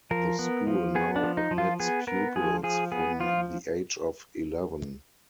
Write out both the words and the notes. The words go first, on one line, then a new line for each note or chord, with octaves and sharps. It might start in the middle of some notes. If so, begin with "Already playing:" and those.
The school now admits pupils from the age of eleven.
F3 A#4
B3
F3
B3 G#4
D4
F3
D#4
F3
F4
B3 G#4
B3 A#4
F3 G#4
F3 G#4
B3 G#4
F3 F4